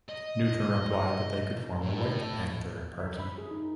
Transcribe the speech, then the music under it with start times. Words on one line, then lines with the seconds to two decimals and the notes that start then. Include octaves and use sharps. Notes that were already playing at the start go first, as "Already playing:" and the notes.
Newton replied that they could form a White Panther Party.
0.09 D#5
1.82 A2
2.99 E5
3.19 B5
3.38 G#4
3.51 D#4